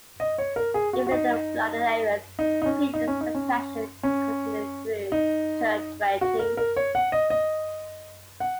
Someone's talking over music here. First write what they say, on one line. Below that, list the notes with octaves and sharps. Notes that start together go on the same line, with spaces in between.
Even in flooded areas, peat extraction continued through turf dredging.
D#5
C#5
A#4
G#4
F#4
F#4
D#4
D#4
D#4
C#4
D#4
C#4
D#4
C#4
C#4
D#4
F#4
A#4
A#4
C#5
F#5
D#5
D#5
F#5